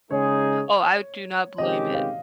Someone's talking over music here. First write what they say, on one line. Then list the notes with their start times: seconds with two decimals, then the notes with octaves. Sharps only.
Oh, I do not blame it.
0.11 C#3 G#3 D#4 G#4 C#5
1.58 C3 D#3 G#3 C#4 G4 D#5
1.95 F5